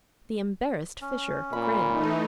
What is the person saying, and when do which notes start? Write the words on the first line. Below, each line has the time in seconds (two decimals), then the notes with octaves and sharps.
The embarrassed Fisher grinned.
1.01 C#4
1.53 A#2 B5
1.90 E3 A3 D#4